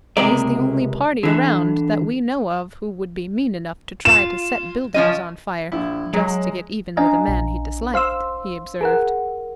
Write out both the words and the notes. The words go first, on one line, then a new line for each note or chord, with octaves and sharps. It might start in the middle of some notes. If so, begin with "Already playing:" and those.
"He's the only party around that we know of who would be mean enough to try to set buildings on fire, just to get even with a man he disliked," he observed.
C#2 C3 G#3 A#4 D5
D3 E3
F4 E7
F3 C#4 D#5
A#1 E4
F#3 G#3 A#5
C#4 D4 D#5 F5 G#5 A#5
A#1
C5 F5 C6 E6
G#4 A#4 F#5